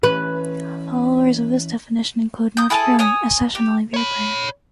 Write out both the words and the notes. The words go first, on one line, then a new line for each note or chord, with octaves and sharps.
Followers of this definition include Notch Brewing, a session only beer brand.
E3 C#4 B4
D#6 G6
E4 G#4 A4 A5
C#5 G#5 D#6
G4
C#5 B5